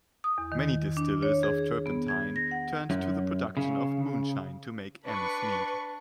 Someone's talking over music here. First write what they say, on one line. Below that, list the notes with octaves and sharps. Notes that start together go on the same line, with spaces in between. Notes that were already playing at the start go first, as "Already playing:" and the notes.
Many distillers of turpentine turned to the production of moonshine to make ends meet.
D#6
E2
D#3
D4
C#5
G#4
B3
G#6
A#6
F#5
F#2
C#3
D4 B4 C#6